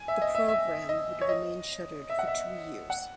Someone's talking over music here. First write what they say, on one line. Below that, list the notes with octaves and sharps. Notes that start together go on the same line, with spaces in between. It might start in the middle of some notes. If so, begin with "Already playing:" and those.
The program would remain shuttered for two years.
Already playing: G#5
E5
D#5
E5
E5
D#5
C#5
D#5
E5
F#5
E5
F#5